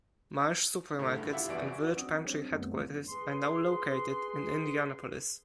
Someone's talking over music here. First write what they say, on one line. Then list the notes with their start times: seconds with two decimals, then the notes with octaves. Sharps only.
Marsh Supermarkets and Village Pantry headquarters are now located in Indianapolis.
0.99 A2 D3
1.18 G2 C#3
1.32 E4 F4 G4 E5 F#5
1.48 G1 E2 E3 F#4 D5 D7
1.67 F#4
1.97 F#3 C4 D4 D#6 E6
2.25 G3 C4 D4 G4 C#5
2.50 F#2 D#3 G3 A3 B3
2.72 A2 E3 F3
3.07 G#4 B4 C6